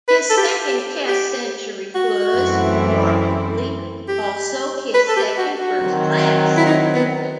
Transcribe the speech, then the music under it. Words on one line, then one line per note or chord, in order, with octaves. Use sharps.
This second Test century was, remarkably, also his second first-class century.
B4
A4
G4
G4
G4
F#4
F#2 E3 A3 C4 E4
G4
B4
A4
G4
F#4
F#4
D#3 F#3 C4
E4
D#4
B3